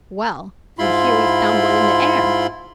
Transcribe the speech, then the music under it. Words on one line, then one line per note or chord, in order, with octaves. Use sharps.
"Well; and here we've found one in the air!"
G#2 E4 F4 B5 C6